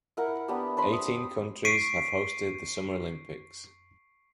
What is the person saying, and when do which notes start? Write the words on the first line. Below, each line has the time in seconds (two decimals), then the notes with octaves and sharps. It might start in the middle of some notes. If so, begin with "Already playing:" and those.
Eighteen countries have hosted the Summer Olympics.
0.17 E4 A#4 F#5
0.48 B3 D4 G4
0.77 D4 C5 B5 C6
0.93 D#6
1.65 C#6 B6 C7 D7 D#7